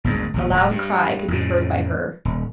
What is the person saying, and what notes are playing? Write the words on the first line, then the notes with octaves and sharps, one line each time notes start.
A loud cry could be heard by her.
G1 D2 G#2
A#1 D#2 F3
D1 A2
G2
F2 A2 C#3
D#1